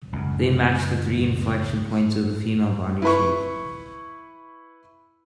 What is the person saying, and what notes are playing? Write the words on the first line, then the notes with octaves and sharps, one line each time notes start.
They match the three inflection points of the female body shape.
C#2 F#2
E4 B4 B5 C#6